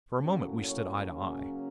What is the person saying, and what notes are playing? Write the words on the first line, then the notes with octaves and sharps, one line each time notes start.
For a moment we stood eye to eye.
A2 F#3 A#3 C#4
C#5
C#3 F#3 A#3 C#4